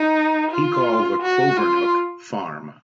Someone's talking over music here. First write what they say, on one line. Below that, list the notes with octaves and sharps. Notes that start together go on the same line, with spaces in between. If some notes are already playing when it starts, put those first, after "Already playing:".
He called the Clovernook Farm.
Already playing: D#4
F4
F#4
F4